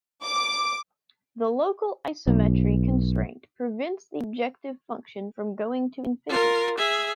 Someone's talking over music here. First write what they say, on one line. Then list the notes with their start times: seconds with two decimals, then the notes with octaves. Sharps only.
The local isometry constraint prevents the objective function from going to infinity.
0.24 D6
2.27 B1
6.29 F4 A#4
6.78 G#4 E5